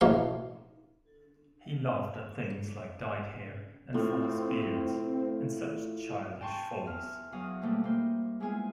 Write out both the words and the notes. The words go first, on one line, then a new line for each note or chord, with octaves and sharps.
He laughed at things like dyed hair and false beards and such childish follies.
A1 B2 A3 F5 C6
A2 A3 C4 F4 C5
G5 A5 C6 C#6
E2 F6
E2 F#3 F5 D#6
B2 F3 G3 A3 A#3
A#3 D#4 C5
G#3 B3 E4 F4 G#4 G#5